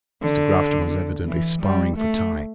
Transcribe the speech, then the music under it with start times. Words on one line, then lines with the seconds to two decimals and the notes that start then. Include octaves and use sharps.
Mr. Grafton was evidently sparring for time.
0.22 D3
1.27 E3
1.62 G3
1.97 A3